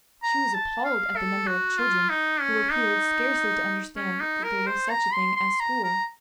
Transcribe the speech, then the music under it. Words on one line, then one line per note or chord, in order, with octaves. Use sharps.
She was appalled at the number of children who appeared scarcely to understand that there was such a thing as school.
A#5
A5
F5
A4
F#4
F4
D#4
C#4
D#4
C#4
D#4
A#4
C5
A#5
C6
C6
A#5
A#5